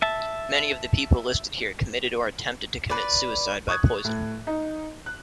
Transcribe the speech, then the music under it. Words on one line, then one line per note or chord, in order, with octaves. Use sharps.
Many of the people listed here committed or attempted to commit suicide by poison.
E5 A5
B4 D5
C#6 D#6 F#6 G#6
A2
D#4
F#6